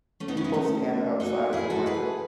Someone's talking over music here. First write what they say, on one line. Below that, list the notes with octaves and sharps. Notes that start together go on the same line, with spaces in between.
People stand outside of a market.
A3 C#4
B3 D#4
C#4 E4
B3 D#4
A3 C#4
D#4 F#4
E4 G#4
F#4 A4
G#4 B4